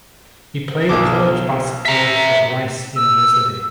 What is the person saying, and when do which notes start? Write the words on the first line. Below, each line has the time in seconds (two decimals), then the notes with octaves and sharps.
He played college basketball for Rice University.
0.89 B1 D6
1.85 E5 A#5
2.96 E6